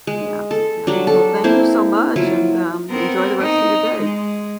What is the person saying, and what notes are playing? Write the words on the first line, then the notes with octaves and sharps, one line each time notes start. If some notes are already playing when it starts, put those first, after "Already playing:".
Yep, yep, well, thank you so much, and, um, enjoy the rest of your day.
G#3
A4
F#3 G3 D4
A4
A#3 C4 E4 C5
F#3 E4 F4
B3 C4 A#4
D#4
G#3